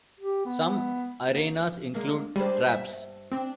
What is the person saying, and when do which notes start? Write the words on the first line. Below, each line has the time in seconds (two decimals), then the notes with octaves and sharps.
Some arenas include traps.
0.20 G4
0.45 B3
1.30 A#3
1.94 E2 G#3 A#3
2.36 G3 G#3 D4 C5
2.65 G2 D#5 E5
3.32 C4 D4